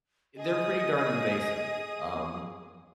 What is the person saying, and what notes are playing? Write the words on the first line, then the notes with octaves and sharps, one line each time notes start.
they're pretty darn invasive. Um,
G#4 D#5 D#6